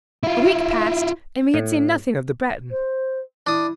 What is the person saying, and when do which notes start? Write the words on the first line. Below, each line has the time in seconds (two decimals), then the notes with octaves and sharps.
A week passed, and we had seen nothing of the Breton.
0.23 E4 F4
1.54 A2
2.70 C5
3.47 D4 E4 D#6